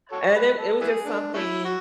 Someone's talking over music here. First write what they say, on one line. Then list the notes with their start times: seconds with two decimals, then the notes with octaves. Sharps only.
And it it was just something
0.12 F#4 A4 C#5
0.35 B4
0.57 A4
0.81 B3 E4 G#4
1.03 D4
1.34 A3 C#4 E4
1.65 F#4